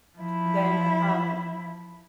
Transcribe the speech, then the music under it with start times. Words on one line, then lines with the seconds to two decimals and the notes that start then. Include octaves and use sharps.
then, um,
0.18 F3 E4